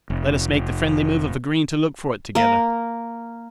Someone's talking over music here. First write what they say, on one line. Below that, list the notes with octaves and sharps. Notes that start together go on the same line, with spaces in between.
Let us make the friendly move of agreeing to look for it together.
F1
A#3 A#4